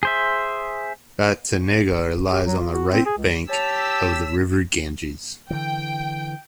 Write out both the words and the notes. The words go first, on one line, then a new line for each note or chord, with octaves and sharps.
Batanagar lies on the right bank of the river Ganges.
G#4 C5 E5
G4
F#3
F4
F#4
C4
G#4
C#2
G4 C#5 A5 E6 B6 F7
D3 E3 G5